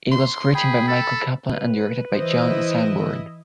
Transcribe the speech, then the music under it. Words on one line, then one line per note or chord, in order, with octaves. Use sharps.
It was written by Michael Kaplan and directed by John Sanborn.
C6
G#4 G5 B5
A4
B4
E3 E4 C5 D#5